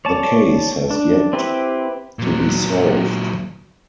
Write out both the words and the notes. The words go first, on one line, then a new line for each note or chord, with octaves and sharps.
The case has yet to be solved.
C#5 D5 A5
D4
C4 E4 G4 B4
A#2 F#3